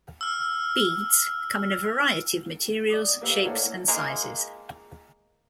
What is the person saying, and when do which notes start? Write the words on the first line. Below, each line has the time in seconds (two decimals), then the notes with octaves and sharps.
Beads come in a variety of materials, shapes and sizes.
0.21 E6 F6
2.90 D5 D6 D#6
3.21 A#3 G4 B4 F5 E6
3.45 A3 A#3 E4 C#5 D5 F#5
3.88 G#3 A#3